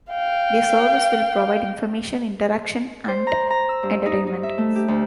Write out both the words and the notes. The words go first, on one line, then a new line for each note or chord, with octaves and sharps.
The service will provide information, interaction and entertainment.
F5 G5
C5
A#5
A#5
E6
G2
D#4
D#4
E5
A3
G4
D2